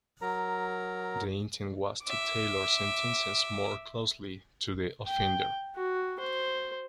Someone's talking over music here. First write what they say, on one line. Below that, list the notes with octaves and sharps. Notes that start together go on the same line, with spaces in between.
The intent was to tailor sentences more closely to the offender.
F#3 A#4 A#5
E5 D6
G5
F#4
C5